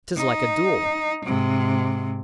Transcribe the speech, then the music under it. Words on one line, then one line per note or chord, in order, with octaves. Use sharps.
'Tis like a duel.
D#4
G#2 C3